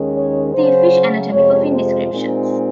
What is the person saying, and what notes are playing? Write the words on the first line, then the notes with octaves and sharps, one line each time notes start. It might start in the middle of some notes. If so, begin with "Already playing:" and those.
See fish anatomy for fin descriptions.
Already playing: D#2 D#3 G#3 C#4
C#5
C#3 F#3 C#4 C5
F2 C3 F3 G#3 C#5
C5
A#2 G#3 C4 D#4